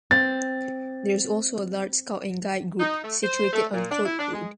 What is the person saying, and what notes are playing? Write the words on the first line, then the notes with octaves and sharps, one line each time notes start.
There is also a large Scout and Guide group, situated on Court Road.
C4 A6
D#4
A3
C5
A3
A#2
D4
E4
D4
G#3